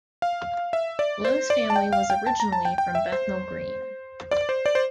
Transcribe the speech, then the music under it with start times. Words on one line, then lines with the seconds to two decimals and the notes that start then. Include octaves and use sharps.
Lowe's family was originally from Bethnal Green.
0.22 F5
0.73 E5
0.99 D5
1.25 C5
1.50 D5
1.70 A5
1.76 G5
1.93 F5
2.10 G5
2.27 A5
2.40 A#5
2.52 A5
2.65 G5
2.78 G5
2.95 E5
3.12 C5
4.31 D5
4.49 C5
4.66 D5
4.75 C5